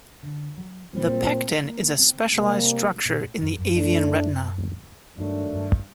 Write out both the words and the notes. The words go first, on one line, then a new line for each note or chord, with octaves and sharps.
The pecten is a specialised structure in the avian retina.
D3
F#3
A#2 F#3 G3 C4
A3
A#3
C4
C3 G3 A3 A#3
A#2
A2
F#2
F#2
A2 A3 D4
G2 D#3 F#3 A3 D4
G2